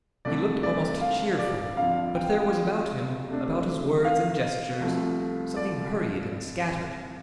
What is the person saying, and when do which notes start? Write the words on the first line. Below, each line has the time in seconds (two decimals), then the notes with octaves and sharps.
He looked almost cheerful, but there was about him, about his words and gestures, something hurried and scattered.
0.25 C2 C3 A3 D4 D5
0.63 D5
1.01 F5
1.39 D5
1.77 F2 D3 F3 F5
2.15 G5
3.28 C3 A3 D4
4.04 F5
4.80 C2 C3 F3 A3
5.56 D5